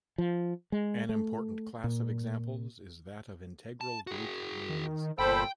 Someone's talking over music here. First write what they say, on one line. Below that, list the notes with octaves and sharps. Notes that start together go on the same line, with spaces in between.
An important class of examples is that of integral group rings.
F3
G#3
A3
A#2
A5
F#4 G#4
D#3
G1 A#2 A4 C5 G5 B5